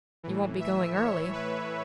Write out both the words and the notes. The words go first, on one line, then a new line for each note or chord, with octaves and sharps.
"You won't be going early."
A2 E3
E5
C#5
B4